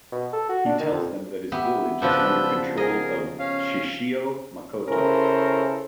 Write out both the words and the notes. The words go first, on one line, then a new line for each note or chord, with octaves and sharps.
He tells them that his village is under control of Shishio Makoto.
B2
A4
F#4
D4
D#3
F2
B3 G4 E5
C#3 F3 D4 B4 E6 G6
G#4 A#4 D#5
C#4 F5
C#3 C#4 E4 A4 A#4 C5